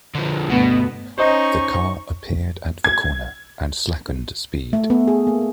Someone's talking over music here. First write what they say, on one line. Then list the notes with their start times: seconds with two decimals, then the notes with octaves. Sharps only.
The car appeared at the corner and slackened speed.
0.15 D3 F3
0.50 D2 G2 B2 B3
1.18 C#4 D#4 C5 D#5 C#6
2.84 G#6
4.73 A3
4.90 B3
5.08 G#4
5.27 A#3